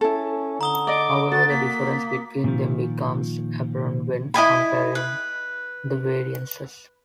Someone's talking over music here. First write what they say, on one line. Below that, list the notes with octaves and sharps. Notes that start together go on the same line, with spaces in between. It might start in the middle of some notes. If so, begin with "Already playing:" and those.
However, the difference between them becomes apparent when comparing the variances.
C#4 E4 A4
D3 A#5 D#6 G7
D5 D#5 D6
F#4 A6
A#3 B6
A#2 D#3 F3
E4 D#5 G#5 B5
B4